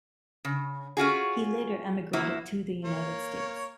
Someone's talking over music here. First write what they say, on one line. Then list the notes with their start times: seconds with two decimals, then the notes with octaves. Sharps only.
He later emigrated to the United States.
0.45 C#3
0.97 C#4 F4 F#4 G#4
2.13 E2 A#3 E4 F#4
2.85 A#3 C#5